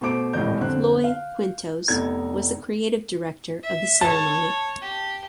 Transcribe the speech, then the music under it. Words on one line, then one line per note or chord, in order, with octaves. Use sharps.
Floy Quintos was the creative director of the ceremony.
B2 A3 C5 D6 D7
D#1 G#1 A2 E3 D#5 G6
F2 D3 C5 F#6
F5
F1 B3 D#4 A4 G#6
E5
C#5 A5
G4